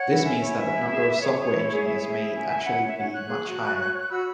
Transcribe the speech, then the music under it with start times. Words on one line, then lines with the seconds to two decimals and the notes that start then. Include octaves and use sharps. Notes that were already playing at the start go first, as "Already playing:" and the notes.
This means that the number of software engineers may actually be much higher.
Already playing: C#5 F#5
0.09 E4
0.25 C#4 E5
0.41 E4 C#5
0.58 C#4 E5
0.73 E4
0.90 G#4
1.05 B4
1.21 G#4 C#5
1.37 G#4
1.53 E4
1.69 G#4
1.85 E4 E5
1.96 C#5
2.01 G#4
2.08 E5
2.18 E4
2.33 C#4
2.49 E4 E5 G#5
2.65 C#5 F#5 B5
2.81 C#4 C#5
2.89 E5
2.97 C#4 C#5 F#5
3.13 C#5 C#6 F#6
3.29 G#4
3.46 F#4
3.61 F#4
3.78 C#5
3.93 C#5
4.09 F#4 B5 E6